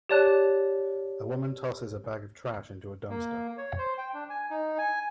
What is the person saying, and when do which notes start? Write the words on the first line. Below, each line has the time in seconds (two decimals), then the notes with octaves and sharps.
A woman tosses a bag of trash into a dumpster.
0.09 G4 C#5 D5 A5 F#6
3.10 A#3
3.58 C#5
3.78 C5
3.98 G5
4.14 D4
4.30 G#5
4.50 D#4
4.78 G#5